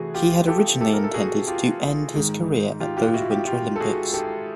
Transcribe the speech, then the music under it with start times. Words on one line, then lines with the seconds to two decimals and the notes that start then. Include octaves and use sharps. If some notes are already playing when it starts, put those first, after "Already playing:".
He had originally intended to end his career at those Winter Olympics.
Already playing: C3 E3 A3 F#4 G#4
0.14 F4 G4
0.47 G4 A4
0.81 G4 A4
0.93 A#4
1.04 A4
1.14 F#4 G#4
1.47 F4 G4
2.14 G#2 D#3 G#3
2.80 F4 G4
2.97 F4 G4
3.14 E4 F#4
3.31 F4 G4
3.47 F4 G4
3.76 A4
3.80 F#4 G#4
4.13 G4 A4